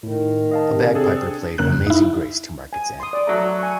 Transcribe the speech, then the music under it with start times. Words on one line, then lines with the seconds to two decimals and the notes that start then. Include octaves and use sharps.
A bagpiper played "Amazing Grace" to mark its end.
0.03 A2 D#3
0.51 D#5 F5 A5
0.73 C3
0.94 C4 D4 G#4 A4
1.58 F2 C#3 A#3 F#6
1.86 D#4 E4
2.73 G#5
3.00 C6 D#6
3.13 D5
3.27 F#3 A3 A#5
3.59 G#5 C#6